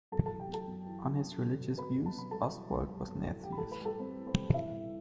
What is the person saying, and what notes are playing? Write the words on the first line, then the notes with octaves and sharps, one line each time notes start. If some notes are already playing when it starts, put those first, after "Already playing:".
On his religious views, Ostwald was an atheist.
F#2 A4 A5
E3 A4 A5
G4 G5
F#2 A4 A5
F#2
E3
F#2
F#3
F#3
B2
B2 B4 B5
B2
A5
F#3 B5
G3 A4 A5
E3
F#2
G3
F#2
E3
A2 G4 G5
B5
A2 A4 A5
B4 B5
G3 A4 A5
G3 C4 C5
A2
C4 C5
G3
G2 E4 E5
G2